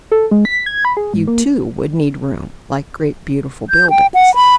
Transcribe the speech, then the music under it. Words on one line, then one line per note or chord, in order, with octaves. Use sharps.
You two would need room--like great beautiful buildings.
A4
G#3
B6
G#6
B5
G#4
G#2
A#3
G6
G5
F#5
B5